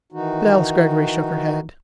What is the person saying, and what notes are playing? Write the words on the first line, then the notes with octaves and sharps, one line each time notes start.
But Alice Greggory shook her head.
D#3 E3 D#4 F#4